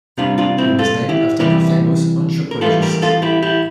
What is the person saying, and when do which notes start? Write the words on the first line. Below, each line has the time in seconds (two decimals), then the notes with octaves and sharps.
He was named after the famous anthropologist.
0.18 C3 G3 D4 F4
0.38 D4 F4
0.58 C4 E4
0.79 F4 A4
1.09 E4 G4
1.40 C3 E3 G3 E4 G4
2.51 A#4
2.61 A2 E3 G3 F4 A4
2.82 G4 A#4
3.02 F4 A4
3.22 E4 G4
3.43 E4 G4